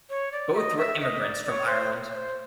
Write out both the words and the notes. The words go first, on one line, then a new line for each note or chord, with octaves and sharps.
Both were immigrants from Ireland.
C#5
D5
E5
D#5
E5
E5
D#5
D5
D5
C#5
C5
C#5
C5